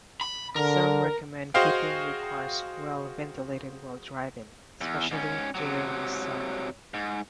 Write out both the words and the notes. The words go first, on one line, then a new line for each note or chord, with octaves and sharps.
Some recommend keeping new cars well ventilated while driving, especially during the summer.
B5
D3 A#4
F#4 G#4 C5 D#5 F5 G5
E2
G#2 C#4
C3 F#3
G#2